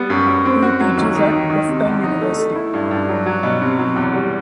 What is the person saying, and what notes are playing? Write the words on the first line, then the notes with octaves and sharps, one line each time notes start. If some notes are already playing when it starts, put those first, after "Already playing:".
He teaches at Bluffton University.
Already playing: G3 B3
F#2
F#2
C4
F#4
F#3
D#2
D#3
D#3
D#3
C3
E2
D#4
A3
A3
E4
G2
G2
F#3
F#3
B2
C3
F#3
E2
G3